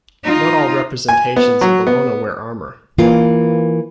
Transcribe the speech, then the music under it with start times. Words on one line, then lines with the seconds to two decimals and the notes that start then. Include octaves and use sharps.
Not all representations of Bellona wear armour.
0.24 D#4 F4
1.08 G#5
1.36 B3
1.61 F#3
1.87 B3
2.98 E3 A#3 F4